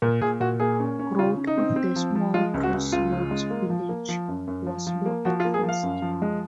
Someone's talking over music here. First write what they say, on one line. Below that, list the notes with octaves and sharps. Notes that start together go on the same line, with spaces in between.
Growth of the small crossroads village was slow at first.
A#2 A#4
A#2 G#4
A#2 F#4
A#3 G#4
C#4
C#4
C#3 F4
C#3
D#4
C4
C4
F3
F3
G#3 F4
C#2
F#4
C#2
C#2 F4
C#3
G#3
A#3
F3
A#3
F3
F#2
F#2
F3
F3
A#3
F3 F#4
F4
A#3
G#4
F3
F5
F#2
F3
G#3